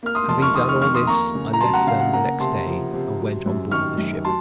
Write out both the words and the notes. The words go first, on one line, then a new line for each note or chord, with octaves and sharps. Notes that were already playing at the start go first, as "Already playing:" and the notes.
Having done all this I left them the next day and went on board the ship.
A#3 F6
C6 D#6
F2 A5 C6
C#6 F6
D#3 C6 D#6
C#6 F6
F2 C#6 F6
C6 D#6
A#3 A#5 C#6
C#3
A#5
F#3 A5 C6
F#5 A#5
C#3 F5
F#5
A#3 F#5 A#5
C3 A5 C6
F3
C3
F#3
F#2
D#3 C#6 F6
F#2
F#3 A5 C6